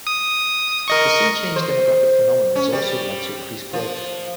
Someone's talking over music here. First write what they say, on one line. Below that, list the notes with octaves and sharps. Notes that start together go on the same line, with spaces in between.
The Seachange demographic phenomenon has also led to increased growth.
D#6
A#4 D#5 C#6
C5
C#4
G3
F3